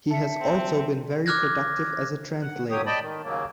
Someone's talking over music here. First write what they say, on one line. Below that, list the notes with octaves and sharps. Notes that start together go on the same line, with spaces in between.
He has also been very productive as a translator.
E5 A5 C#7
C4
D6 F6 F#6 G#6 A#6
F#5
D#2 F#3 G4 C#5 D#6
D5 D#5 G5 A5 B5
D#3
D#2 C#3 F#3 A#3